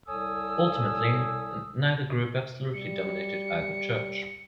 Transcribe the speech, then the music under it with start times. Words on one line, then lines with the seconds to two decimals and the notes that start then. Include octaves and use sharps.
Ultimately, neither group absolutely dominated either church.
0.07 C2 A4 C#5 G#5 D#6 E6
2.74 G3 C#7